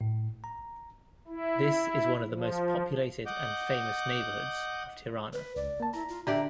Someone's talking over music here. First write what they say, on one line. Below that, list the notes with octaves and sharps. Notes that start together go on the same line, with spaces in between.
This is one of the most populated and famous neighborhoods of Tirana.
A2
A#5
E4
F3
D#5 F#5 D6 G6
B4
C#2 D5
A#3 A5
E4 A#5
F4
D3 G4 D5 E5 A#5